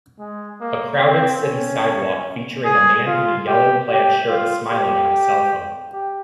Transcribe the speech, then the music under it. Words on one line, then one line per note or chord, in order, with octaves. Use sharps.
A crowded city sidewalk featuring a man in a yellow plaid shirt smiling on a cellphone.
G#3
A#3
C4
C#4
G#4
F4
G4
G4
F4
G4
G4